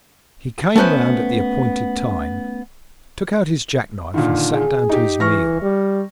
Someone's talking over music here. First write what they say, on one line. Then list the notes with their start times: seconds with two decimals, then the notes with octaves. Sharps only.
He came round at the appointed time, took out his jackknife, and sat down to his meal.
0.76 A3 B3 C#4 B4 C5
4.14 A#2 D3 D#3
4.52 G#4
4.89 D#4 G4
5.20 E3 C#6 F6 A#6
5.62 G3